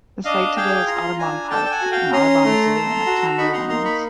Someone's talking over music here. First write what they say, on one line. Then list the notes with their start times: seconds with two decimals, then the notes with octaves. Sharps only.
The site today is Audubon Park and Audubon Zoo in uptown New Orleans.
0.25 D4 D#5 F5
0.56 G#4 F5 G5
0.87 F4 A#5 C6
1.19 D4 G#5 A#5
1.50 A4 G5 A5
1.65 G5
1.71 F#5 G#5
1.81 F#4
1.92 F5 G5
2.12 C#4 A#5 C6
2.44 A3
2.75 A4
3.06 F#4
3.38 D#4 B5 C#6
3.53 A#5 C6
3.68 A#3 A#5 C6
3.85 B5 C#6